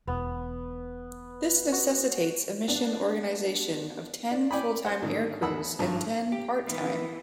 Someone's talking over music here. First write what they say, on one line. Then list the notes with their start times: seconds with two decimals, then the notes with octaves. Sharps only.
This necessitates a mission organization of ten full-time aircrews and ten part-time.
0.07 E1 B3
1.72 F#4
2.68 B3 D4
4.31 D4
4.51 C#4 D5 G5 G#5 B5
4.85 C5 F#5
5.02 G#2 D3 D#3
5.42 E2 A2 F#5 B5 E6
5.79 G#1 G2 F3 A#5
6.32 G4
6.67 E3 A#3 B3 D#4